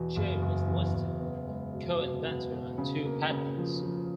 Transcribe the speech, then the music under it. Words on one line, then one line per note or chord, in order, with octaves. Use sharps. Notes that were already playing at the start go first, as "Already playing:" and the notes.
Jay was listed co-inventor on two patents.
Already playing: E2 B2
F#1
F#1
E2
F#1
B3
G#3
B2
B2
B3
B2
C#3
A#3
C#3
F3
F3